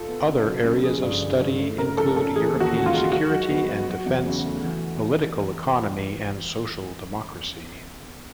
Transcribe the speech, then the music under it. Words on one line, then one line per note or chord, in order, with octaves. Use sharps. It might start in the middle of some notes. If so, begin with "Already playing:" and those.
Other areas of study include European security and defence, political economy, and social democracy.
Already playing: F4 A4
B3
C#3
F#3
C#3
F3 G#4
G2
D3
G2
A3
C#3 A#4
F3 A4
C#4 A4
E3 G#4
D#2
F#4
C#3
F4
G#3
D#4 F#4
F#3
B3
F#3
F#3
E2
C#3
A3
E3